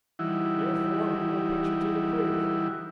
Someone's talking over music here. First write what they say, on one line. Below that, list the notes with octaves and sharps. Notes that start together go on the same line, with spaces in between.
Therefore we will put you to the proof.
E3 G3 D#4 E4 F#4